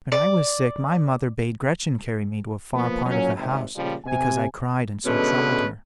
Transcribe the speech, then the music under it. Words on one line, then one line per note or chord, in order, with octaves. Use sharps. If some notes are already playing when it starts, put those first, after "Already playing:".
When I was sick my mother bade Gretchen carry me to a far part of the house, because I cried and so troubled her.
D5
F3 A#3 B3
A#2 F#3 C#4
G#1 C3
A#2 C#3 F3 G3
C3 G#5
B2 D3 G#3 A3 C#4 B4